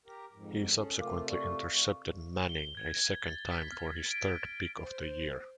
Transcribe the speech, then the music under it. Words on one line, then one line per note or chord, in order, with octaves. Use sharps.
He subsequently intercepted Manning a second time for his third pick of the year.
G4 A#4
F2 G#2
C#4 G#4 A4
C3 A3 F4 A#4 F5 D6
D5 C#6
G7
G#6
A6
B6
F6
D7
C5